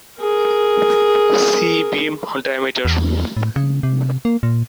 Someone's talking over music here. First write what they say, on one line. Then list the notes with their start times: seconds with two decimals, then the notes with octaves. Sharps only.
See beam diameter.
0.20 G#4 A#4
2.85 E2
3.37 A2
3.56 C#3
3.83 C3
4.25 A#3
4.43 A#2